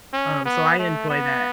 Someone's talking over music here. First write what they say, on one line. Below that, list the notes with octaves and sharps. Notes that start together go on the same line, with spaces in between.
um, so I enjoy that.
C#4
B3
A3
B3